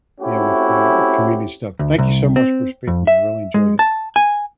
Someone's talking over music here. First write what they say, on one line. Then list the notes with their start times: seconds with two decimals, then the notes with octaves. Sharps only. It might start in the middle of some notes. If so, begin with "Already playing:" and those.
you know, with the community stuff. Thank you so much for speaking to me, I really enjoyed it.
0.21 A3 C4 C#4 E4 F#4 G4
1.79 D2
1.98 C2
2.36 C4
2.87 F2
3.07 E5
3.54 G#3
3.79 A5
4.16 G#5